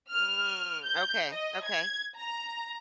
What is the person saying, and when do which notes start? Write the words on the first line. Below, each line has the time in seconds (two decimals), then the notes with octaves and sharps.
Mm, okay, okay.
0.11 F6
0.86 G6
1.32 D#5
1.66 G#6
2.18 A#5